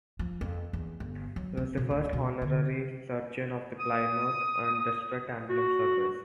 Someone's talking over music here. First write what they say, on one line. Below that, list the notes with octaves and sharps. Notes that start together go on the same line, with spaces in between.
He was the first honorary surgeon of the Plymouth and District Ambulance Service.
F3
F2
E2
G1
F#3
C4
B2
D1
B2
D3
D#6
F#4